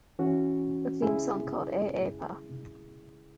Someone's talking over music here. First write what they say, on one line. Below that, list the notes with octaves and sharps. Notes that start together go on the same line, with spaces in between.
A theme song called Ei Ei Puh!
E3 C#4 F#4
C#3 G#3 E4 G#4